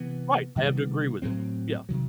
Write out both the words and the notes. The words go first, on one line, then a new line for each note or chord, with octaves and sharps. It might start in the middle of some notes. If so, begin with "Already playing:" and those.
Right, I have to agree with it. Yeah,
Already playing: C3 E3 B3
C3 D#3 G3 B3
A2 F#3 C4
C3 D#3 F#3